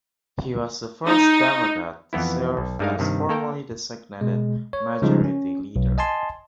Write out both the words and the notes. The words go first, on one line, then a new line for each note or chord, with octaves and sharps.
He was the first Democrat to serve as formally designated Majority Leader.
D#4
F2 E3 B3 E4
B1
G2 G3 G#3 D#4 A#4 F5
G2 C3 D#3
A#3 A4 A#4 G5
B2 G#3
C#5
C#3 F3 G3 G#3 D#4
C#4
B1
D#5 G#5 A5 C6